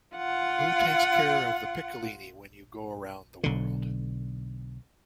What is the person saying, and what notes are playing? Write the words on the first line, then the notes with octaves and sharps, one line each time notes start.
Who takes care of the piccolini when you go around the world?
F4 F#5
B1 D3